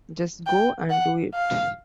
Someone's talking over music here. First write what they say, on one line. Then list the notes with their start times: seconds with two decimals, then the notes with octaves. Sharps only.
Just go and do it.
0.47 G5
0.90 F#5
1.34 F5